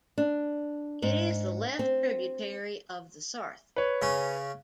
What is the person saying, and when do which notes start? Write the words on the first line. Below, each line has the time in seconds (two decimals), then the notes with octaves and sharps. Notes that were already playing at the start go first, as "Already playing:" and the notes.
It is a left tributary of the Sarthe.
0.18 D4
1.02 G#2
1.79 C4
3.76 B4 C#5
4.02 C#3 C#4